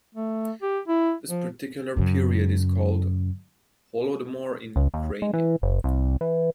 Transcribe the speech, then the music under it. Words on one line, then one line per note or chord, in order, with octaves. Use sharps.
This particular period is called "Holodomor" in Ukrainian.
A3
G4
E4
F3
F#2 C#3
C#2
D#2
G#3
E3
F#1
C2
E3